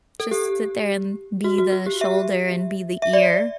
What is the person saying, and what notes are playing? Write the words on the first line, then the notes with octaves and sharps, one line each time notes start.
just sit there and be the shoulder and be the ear.
A4
G4
F#4
F#4
F#4
G4
E5
E5
D5